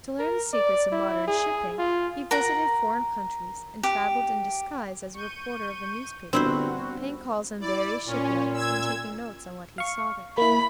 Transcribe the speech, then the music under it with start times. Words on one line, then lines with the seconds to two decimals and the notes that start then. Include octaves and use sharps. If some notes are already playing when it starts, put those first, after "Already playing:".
To learn the secrets of modern shipping he visited foreign countries and traveled in disguise as a reporter of a newspaper, paying calls on various shipyards and taking notes on what he saw there.
0.19 A#4
0.53 D5
0.92 E4
1.27 G#4
1.78 F4
2.31 A#4 F#5 A#5
3.83 G4
5.14 C#6 G6 D#7
6.33 G1 C4 D4 E4 F#4 C5 D5
7.61 E4 D5
8.07 A#2 C#4
8.54 E6 G#6
9.78 F5 C#6
10.38 A#3 E4 B5